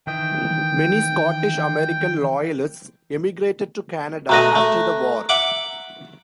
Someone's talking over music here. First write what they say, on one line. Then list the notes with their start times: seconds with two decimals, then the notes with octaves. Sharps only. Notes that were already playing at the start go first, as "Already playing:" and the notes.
Many Scottish American Loyalists emigrated to Canada after the war.
0.07 D#3 E3 D#5 G5
4.29 B2 A3 D#5 A#5 F#6 A#6
4.55 A3
5.29 E5 F#5 D6